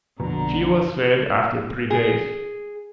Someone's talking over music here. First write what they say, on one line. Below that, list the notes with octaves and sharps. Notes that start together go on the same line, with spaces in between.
She was fed after three days.
A#1 F2 B2 D3 A#5
G#4